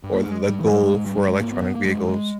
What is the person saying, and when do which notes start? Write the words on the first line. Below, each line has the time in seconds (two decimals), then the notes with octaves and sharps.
Or, the goal for electronic vehicles.
0.03 G2
0.14 A#3
0.26 G#3
0.49 G2 G3
0.60 E3
0.72 G3
0.83 G#3
0.94 G#2 G#3
1.06 G3
1.18 G3
1.29 G#3
1.40 G#2 A#3
1.52 B3
1.63 B3
1.75 A#3
1.86 G2 G#3
2.09 G#3